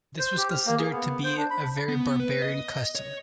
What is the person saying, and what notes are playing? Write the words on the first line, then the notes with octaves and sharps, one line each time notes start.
This was considered to be a very 'barbarian' custom.
C5
G4
F6
A#3
G#4
B3
C5
D4
B5
B3
B4
D#5
C#5